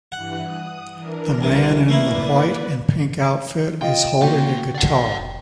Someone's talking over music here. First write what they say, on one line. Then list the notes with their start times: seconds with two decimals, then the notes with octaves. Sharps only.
The man in the white and pink outfit is holding a guitar.
0.12 G2 E3 F#5 F#6
0.44 D#6
0.95 E3 D4 A#4
1.41 C2 C3
1.88 A3 A#3 E4 B4 D5
3.81 C3 F4 D#5 G5
4.22 D3 A#3 F#4 D5 G5
4.75 D5 F#5
5.19 F1